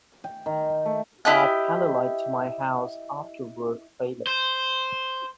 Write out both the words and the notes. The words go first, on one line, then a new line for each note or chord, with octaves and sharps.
Add Candlelight to my House Afterwork playlist.
G5
D#3
A3
E4 G4 D#5 F#6
C5